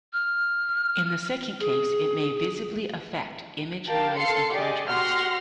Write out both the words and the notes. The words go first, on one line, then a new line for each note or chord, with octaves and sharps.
In the second case, it may visibly affect image noise and contrast.
F6
G#4
G4 A#4 F5 G5 A5
A4 F5 C6 C7 C#7
G4 G#4 D5 D#5
F#4 G4 F#5 C6 F6 A#6